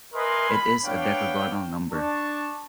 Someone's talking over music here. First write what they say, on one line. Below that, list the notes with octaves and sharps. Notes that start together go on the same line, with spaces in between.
It is a decagonal number.
A#4 B4 D#5 E5 G#5 C6
B5
B3 D4 C#5 F5 G5
D4 A5 C#6